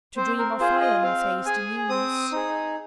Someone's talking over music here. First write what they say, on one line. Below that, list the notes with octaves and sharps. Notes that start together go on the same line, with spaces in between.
To dream of fire means hasty news.
C4 C5
A#4
F4 G#4 C5
D#5
C4 F5
G#4 G#5
C4 D#6
D#4 G#4